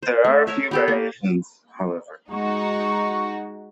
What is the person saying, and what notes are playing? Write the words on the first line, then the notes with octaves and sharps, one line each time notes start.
There are a few variations, however.
C5
A3
A#4 C#5 E5
B3 G4 A4
A#3
G#3 D#4 F#4 C#6